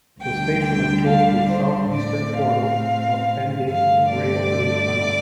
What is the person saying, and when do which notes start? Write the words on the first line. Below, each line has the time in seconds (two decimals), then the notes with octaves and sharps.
The station is close to the South-Eastern portal of Penge Railway Tunnel.
0.20 D2 D3 G3 D4 G5
0.63 G5
1.07 F5
1.50 C5
1.93 A2 A3 C4 D5
2.38 F5
3.67 G2 D3 F3 A3 F5
4.11 D5